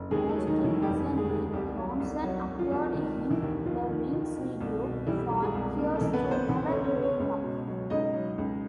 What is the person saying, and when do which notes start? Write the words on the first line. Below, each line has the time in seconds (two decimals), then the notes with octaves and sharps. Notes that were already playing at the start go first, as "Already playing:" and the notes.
Most recently, Bronson appeared in Lavigne's video for "Here's to Never Growing Up".
Already playing: F#1
0.11 D#2 G#3 G#4
0.29 A3 A4
0.35 F#3
0.47 D#3 D#4
0.58 F#3
0.64 E3 E4
0.82 F1 G3 G4
1.06 D3
1.18 G#3 G#4
1.29 D#2
1.53 C2 G3 G4
1.76 F#3
2.00 C2
2.23 F#3 F#4
2.47 C2
2.59 F3 F4
2.71 C2
2.95 D#3
3.18 D#3
3.30 E3 E4
3.42 D#2
3.65 D#3 F3 F4
3.89 D#3
4.13 D#3
4.36 B2
4.61 C2
4.83 B2
5.07 E3 G3 E4
5.30 G3
5.42 G#3 G#4
5.54 C2
5.78 C#3 A#3 A#4
5.96 A3 A4
6.01 E3
6.13 B3 B4
6.25 D2
6.31 C4 C5
6.49 E3
6.67 C#4 C#5
6.72 D2
6.84 C#4 C#5
6.96 C#3
7.02 C#4 C#5
7.20 C#2
7.44 B2
7.67 F#3
7.90 C#2 D#4 D#5
8.14 F#3
8.38 C#2